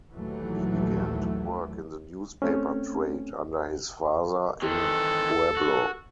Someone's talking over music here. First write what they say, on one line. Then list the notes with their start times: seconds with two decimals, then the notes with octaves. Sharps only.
He began to work in the newspaper trade under his father in Pueblo.
0.14 A#1 D#2 E3 F#3 A3
2.42 A3 C4 C#4
4.62 D#3 E3 C4 A4
5.57 F#4